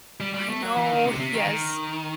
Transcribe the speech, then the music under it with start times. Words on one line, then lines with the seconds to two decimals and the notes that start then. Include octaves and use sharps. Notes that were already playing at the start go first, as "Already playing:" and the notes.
I know, yes.
0.20 G3
0.34 G3
0.49 A3
0.63 F#3
0.77 E3
0.92 D#3
1.05 C3
1.20 C3
1.34 D#3
1.48 D#3